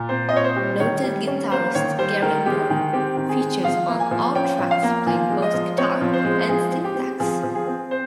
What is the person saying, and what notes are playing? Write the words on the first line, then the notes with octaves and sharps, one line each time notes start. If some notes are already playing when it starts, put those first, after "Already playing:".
Noted guitarist Gary Moore features on all tracks playing both guitar and synthaxe.
Already playing: A#2
C4 C5
D#5
A#2 C#5
C5
G3
D#3 C#5
G3
C#4
A#3 C5
D#3 C#5
G3 C5
D#3 A#4
G#3 G4
D#3 G#4
C4 G4
D#3
G#4
G#3
F3 F5
A#3
G#5
F3
C#4 G5
F3
F5
A#3
F3 G#5
G#3
D#5
F3
C4 C#5
F3
C5
G#3
F3 G#4
C4
G4
C4
F3 G#4
F3
G#4
C4
C5